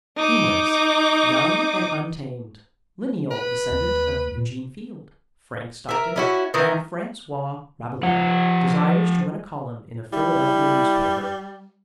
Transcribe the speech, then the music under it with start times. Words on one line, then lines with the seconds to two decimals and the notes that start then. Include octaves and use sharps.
HUMORIST: Young and untamed, lineal descendent of Eugene Field, Frank Stockton, and Francois Rabelais, desires to run a column in a Philadelphia newspaper.
0.17 D#4 D6
3.31 B4
3.71 D#2
4.37 A#2
5.89 A#4 E5
6.16 C#4 E4 F#4
6.54 D#3 E3 A#4
8.03 F3 F#5
10.13 G3 E4